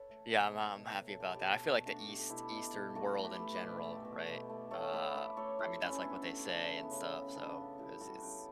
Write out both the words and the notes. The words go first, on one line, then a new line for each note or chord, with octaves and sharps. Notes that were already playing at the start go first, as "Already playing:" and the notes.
Yeah, I'm I'm happy about that, I feel like the east eastern world in general, right? Uh, I mean, that's, like, what they say and stuff, so it's it's
Already playing: A4 B4 C#5
A3
B2
A3
B2
F#3
A4
B2 G4 B4
G4
B2 F#4 A4
B2
A3 D4 F#4
B2 G4
A4
B2 E4 G4
B2
B2
A3 F#4 A4
A3
G4 B4
A3
B4 D5
B2
A3
B2
B2
A3
A3 A4 C#5
A3 B4 D5
A3 B4 D5
A3 A4 C#5
A3 E4 G4
A3 C#4 E4
C#4
A3 B3 D4
A3
C#3 C#4
C#3
B3
C#3 C#4
C#3
C#3 B3 D4
C#3
G3 E4 G4
G4
G3 F#4 A4
C#3 G4 B4